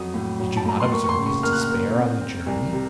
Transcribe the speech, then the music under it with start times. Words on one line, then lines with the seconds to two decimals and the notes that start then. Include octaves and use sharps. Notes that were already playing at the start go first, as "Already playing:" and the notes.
Did you not observe his despair on the journey?
Already playing: F2 F#3 D#6
0.14 A2
0.40 F#3
0.57 A5
0.66 A2 A#5
0.80 C6
0.92 A#3 C#6
1.04 C#6
1.09 C6
1.17 C#3
1.26 C#6
1.43 A#3 F6
1.53 F#6
1.61 F6
1.69 A#3
1.95 C4
2.21 C4
2.46 C2
2.73 C3